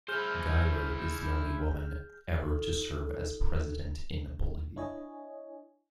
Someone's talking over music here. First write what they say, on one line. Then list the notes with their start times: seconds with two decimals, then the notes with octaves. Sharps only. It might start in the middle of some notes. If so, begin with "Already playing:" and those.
Gueiler is the only woman ever to serve as president in Bolivia.
0.08 E4 G#4 C5 F6 G6
2.39 D#4 F4 A4
4.76 D4 E4 C#5 D#5 G#5